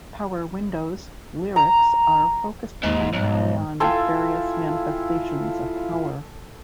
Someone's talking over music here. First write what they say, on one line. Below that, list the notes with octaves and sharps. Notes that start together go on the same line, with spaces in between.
"Power Windows" lyrics are focused primarily on various manifestations of power.
A#5
D#2 G#2
B1 G#2
E4 F4 A4 F5 G5 G#5 C6